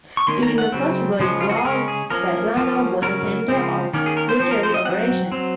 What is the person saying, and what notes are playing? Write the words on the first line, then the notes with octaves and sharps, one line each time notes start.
During the First World War Bassano was a centre of military operations.
C#6
D#3 A#3 C#4 C6
A#5
F#5
C#3 F#3 C4
C#3 F3 G#3 C#4
F4
F#4
G#4
C#3 G#3 C#4 A#4
G#4
F3 A#3 C#4 A#4
F3 A#3 C#4
C#3 F#3 C#4 A#4
C#3 F3 G#3 C4
D#3 A#3 C#4
G#4
A#4
C5
F3 C4 C5
A#4
C5
D#5
F#3 C4 F#5
F#3 C4